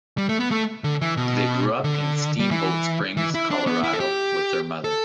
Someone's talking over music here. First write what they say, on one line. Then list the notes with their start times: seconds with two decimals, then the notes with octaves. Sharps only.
They grew up in Steamboat Springs, Colorado with their mother.
0.18 G3
0.29 A3
0.40 B3
0.51 A3
0.84 D3
1.01 E3
1.17 B2
1.84 D3
2.40 G3
2.51 E3
3.17 E3
3.34 E4
3.51 D4
3.67 B3
3.84 E4
3.93 A4
4.00 G4
4.84 A4